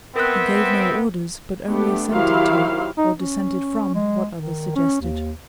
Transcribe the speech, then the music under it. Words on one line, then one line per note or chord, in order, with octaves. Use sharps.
He gave no orders, but only assented to or dissented from what others suggested.
B3 C4 A#4 E5 F#6
A3 B3 D4 G4
D#3 F#3 E4 G4 C5 F5
D#4
C#4
G#3
D#3
C#4
D#2